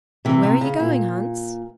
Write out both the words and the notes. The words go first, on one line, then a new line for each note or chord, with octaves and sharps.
'Where are you going, Hans?'
C3 E3
C3
C#3
A#2